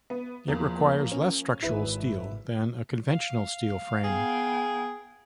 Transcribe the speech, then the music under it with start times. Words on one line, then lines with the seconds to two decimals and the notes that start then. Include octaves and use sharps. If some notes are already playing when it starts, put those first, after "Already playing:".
It requires less structural steel than a conventional steel frame.
0.10 B3
0.48 E2 F3 A#3
1.12 C#4
1.63 G#1 E4 B4
3.11 F5
4.04 B3 G#4 G5